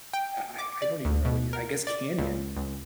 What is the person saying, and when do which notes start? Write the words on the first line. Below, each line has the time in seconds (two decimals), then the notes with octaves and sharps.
I I don't even know what you I guess canyon.
0.13 G5
0.58 D6
0.82 D5
1.05 D2
1.25 B2
1.53 A#4
1.87 D5
2.18 C#2
2.57 C#2